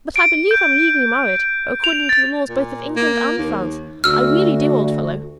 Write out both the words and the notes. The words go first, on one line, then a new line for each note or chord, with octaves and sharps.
But I believe I'm legally married according to the laws both of England and France; I really do, old fellow.
D7
G6
F7
A6
A#2
A#3
D#2
D2 F#4 E6 F6